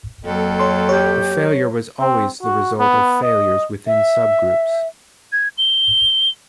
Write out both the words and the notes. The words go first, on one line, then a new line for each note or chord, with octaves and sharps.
The failure was always the result of failures within subgroups.
F2 F#3 A#3 A4
C#5 C6
G4 C#5
C4
F#4
B3
D#5
E5
G#6
G7